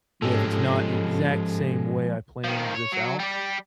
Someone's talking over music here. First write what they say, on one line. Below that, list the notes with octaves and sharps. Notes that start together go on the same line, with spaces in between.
you know, "If it's not the exact same way I planned this out,
G#2 F3 G#3 C#4 G4 A4
D#3 F3
C#5
F#3
G3 G4